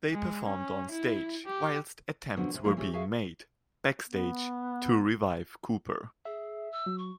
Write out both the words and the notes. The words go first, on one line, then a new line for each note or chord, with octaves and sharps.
They performed onstage whilst attempts were being made, backstage, to revive Cooper.
G#3
C#4
E4
G4
F#2 D3 F3 F#3 B3
D#2 A2 C3
F3 F#3 G#3 A#3 C#4 E4
E3 C#4 G4 G#4
F#4 G#4 E5 F5
B3
G#4 E5
E6
F#3
C#6